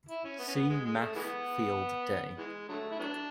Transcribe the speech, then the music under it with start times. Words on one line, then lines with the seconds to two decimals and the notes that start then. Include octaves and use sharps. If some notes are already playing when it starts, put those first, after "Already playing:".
See Math Field Day.
0.09 E4
0.25 C#4
0.39 B3
0.48 C#4
0.55 B3
0.70 G#3
0.86 G#3
1.00 A3
1.16 E3 G#3 B3
2.38 E3 G#3
2.69 D3 F#3 A3
2.91 E4
3.00 F#3 B3 D4